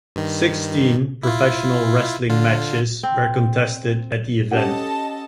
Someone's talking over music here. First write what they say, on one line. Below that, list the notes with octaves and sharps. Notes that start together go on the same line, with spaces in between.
Sixteen professional wrestling matches were contested at the event.
G2 D#3
E4 F4
D3 F4
C4
C#4 G4 A4 D#5 F#5 A5